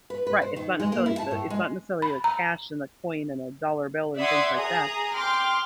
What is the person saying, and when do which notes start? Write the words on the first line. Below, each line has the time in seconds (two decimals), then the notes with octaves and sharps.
right, it's not necessarily the it's not necessarily a cash and a coin and a dollar bill and things like that.
0.10 B4
0.27 B4
0.42 C5
0.56 D#3
0.80 G#3
0.92 A#3
1.06 E4
1.18 A5
1.31 A2
1.50 G#3
2.02 B5
2.24 A#5
4.17 D5 E5 F#5 C6 D#6 G#6
4.56 G#4 A#5 D#6
5.15 G5 C6 D6 F6